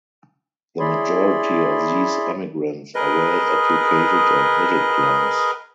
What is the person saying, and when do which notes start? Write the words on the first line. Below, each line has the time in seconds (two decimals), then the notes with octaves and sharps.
The majority of these emigrants are well-educated and middle-class.
0.80 E4 G#4 C#5 D5 B5 C6
2.95 G#4 A#4 B4 D#5